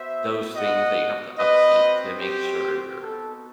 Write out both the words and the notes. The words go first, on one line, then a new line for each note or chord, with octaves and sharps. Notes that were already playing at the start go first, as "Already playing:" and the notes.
those things that you have to upkeep to make sure you're
Already playing: B3 F#4 C5 E5
D#5 F#5
C4 F#4 B4 D#5
G4
B3 D#4 F#4 A4